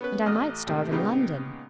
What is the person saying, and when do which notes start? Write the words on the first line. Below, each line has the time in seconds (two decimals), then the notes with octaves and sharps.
'And I might starve in London.
0.01 B3 C#4 B4
0.26 A1 A3 D#5 D#6 F6
0.67 D#2 A2 C3 A3
0.91 A#2 C#3 G#3 B3 D#4 G4